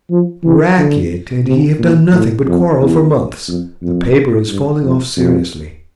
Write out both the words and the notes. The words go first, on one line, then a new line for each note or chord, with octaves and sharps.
'Rackett and he have done nothing but quarrel for months; the paper is falling off seriously.
F3
E3
D3
C3
A#2
A2
F2
E2
F2
F2
G2
F2
F2